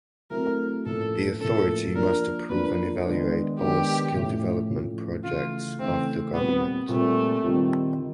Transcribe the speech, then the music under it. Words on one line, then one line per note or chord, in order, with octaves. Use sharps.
The authority must approve and evaluate all skill development projects of the government.
F#3 A3 C4 E4 A#4
A2 F3 A#3 C#4 A4
A2 F3 A#3 C#4 A4
F3 A#3 D4 A#4
F3 A#3 D4 B4
D#3 G#3 B3 D4
D#3 G#3 B3 D4 G4
A2 F3 A3 C#4 F4
A2 F3 A3 C#4 F4
C#3 E3 A3 F4
C#3 E3 A3 C4
A#2 G3 B3 C4
A#2 G3 A3 C4
D#3 G3 C4 F4
D#3